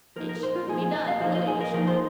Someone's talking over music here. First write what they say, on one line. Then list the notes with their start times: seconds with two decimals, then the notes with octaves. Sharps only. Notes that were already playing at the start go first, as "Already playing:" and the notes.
"It shall be done, your ladyship."
0.16 F3 A#3 D#4 A#4
0.29 A#4
0.42 A#2 C5
0.56 F4
0.69 F3 A#3 D#4 G#4
0.82 G#4
0.95 A#2 D#5
1.08 F5
1.21 F3 A#3 D#4 F5
1.35 D#5
1.47 A#2 G#4
1.61 A#4
1.74 F3 A#3 D#4 A#4
1.87 C5